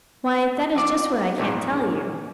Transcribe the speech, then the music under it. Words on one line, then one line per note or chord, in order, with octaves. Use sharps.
'Why, that is just what I can't tell you.
F2 D5
A#1 E2 G#2